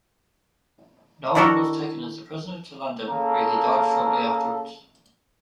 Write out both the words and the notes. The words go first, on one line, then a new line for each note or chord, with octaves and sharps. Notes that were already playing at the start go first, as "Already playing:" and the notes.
Noel was taken as a prisoner to London, where he died shortly afterwards.
D#3 D4 E4 F#4 A4 A#4
C#3 A#3 A4